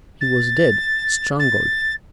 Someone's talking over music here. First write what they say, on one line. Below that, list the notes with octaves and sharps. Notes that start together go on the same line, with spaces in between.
He was dead--strangled.
A6
A6